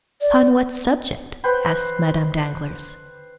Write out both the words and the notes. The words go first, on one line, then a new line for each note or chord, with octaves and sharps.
"Upon what subject?" asked Madame Danglars.
D5
B4 C5 G5